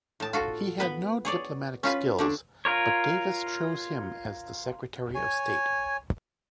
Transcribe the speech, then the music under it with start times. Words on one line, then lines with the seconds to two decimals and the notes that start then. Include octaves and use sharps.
He had no diplomatic skills but Davis chose him as the Secretary of State.
0.20 A2 A5
0.33 F4 F#4 A4
0.80 B3 B4
1.25 G#4 C#5 D5
1.83 C#4 F4 B4
2.19 D3 A3 D4
2.65 F4 A#4 C#5
5.15 C#5 G#5